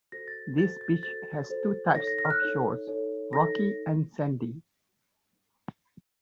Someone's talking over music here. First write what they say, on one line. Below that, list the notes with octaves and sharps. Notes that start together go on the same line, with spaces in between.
This beach has two types of shores, rocky and sandy.
F#4 A4 C5 A#6
A6
F#4 A4 C5 A6
A6
F#4 A4 C5 A6
F#4 A4 C5
D#4 A4 C#5 A#6
A#6
A#6
F6
F#6
D#4 A4 C#5
D#4 A4 C#5
D#4 A4 C#5 A#6